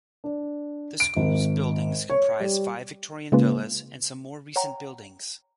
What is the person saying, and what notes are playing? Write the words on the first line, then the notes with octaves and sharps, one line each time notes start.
The school's buildings comprise five Victorian villas and some more recent buildings.
D4
D7
G#1
C#5
G3
C#3 G#3 A#3 C#4 F4 B4
C#5 F#5 G5 A#5